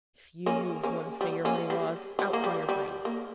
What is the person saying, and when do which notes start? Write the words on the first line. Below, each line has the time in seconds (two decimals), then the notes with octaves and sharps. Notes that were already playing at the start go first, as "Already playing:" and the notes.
If you move one finger, Moneylaws, out fly your brains!
0.46 A#3 C#4
0.83 A#3 C#4
1.21 G3
1.45 A#3 C#4
1.70 G3
2.19 G3
2.33 A#3
2.44 G3
2.69 G3
3.05 A#3